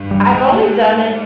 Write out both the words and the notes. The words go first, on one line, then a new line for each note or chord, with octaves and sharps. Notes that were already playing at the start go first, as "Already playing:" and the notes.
I've only done it
Already playing: G2
G3
G#2 G#3
G#2 A#3